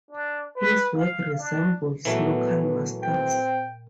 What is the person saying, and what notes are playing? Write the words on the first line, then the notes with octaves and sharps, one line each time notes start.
His work resembles local masters.
D4
B4
F5
D4
A#2 E3 F#3 A3 B3 A#4
C4 G5